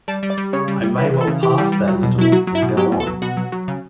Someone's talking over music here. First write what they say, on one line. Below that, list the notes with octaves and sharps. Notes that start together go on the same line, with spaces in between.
I may well pass that little and go on.
G3 A5
G3
D5
G3
C#3 C#5
G3
G3
E3 B4
E3
A4
C#3
E3 G4
G3
G3
F#3
B2
F#3 E4
F#3 F#4
F#3
E4
B2
F#3 G4
B2
A4
F#3
B2 F#4
F#3
F#3
C#3